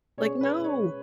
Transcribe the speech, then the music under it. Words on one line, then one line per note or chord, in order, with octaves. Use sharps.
Like, no.
B2 G#3 C#4 G#4 C#5
B4
C#5